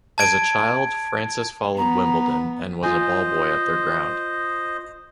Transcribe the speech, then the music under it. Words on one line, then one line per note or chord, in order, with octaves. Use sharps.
As a child Francis followed Wimbledon, and was a ball boy at their ground.
A5 G#6 D7
B3 A#5
F4 C5 D#5 G#5